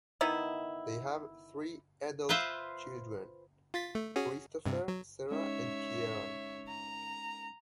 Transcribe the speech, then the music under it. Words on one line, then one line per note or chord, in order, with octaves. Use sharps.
They have three adult children - Kristopher, Sara, and Kieran.
D#3 B3 D#4 E4
F4 B4 C5 E5
F4 A6 B6
A3
C#4 F#4 G#4
G2 C3
F#3
G#3 C#4 D#4 C#5 E5
A#5